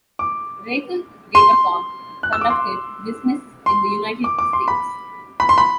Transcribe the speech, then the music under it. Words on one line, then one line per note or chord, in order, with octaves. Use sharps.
Racal-Datacom conducted business in the United States.
D6
C6
F#6
E6
D6
C6
C6
D6
D6
C6
B5
B5
C6
B5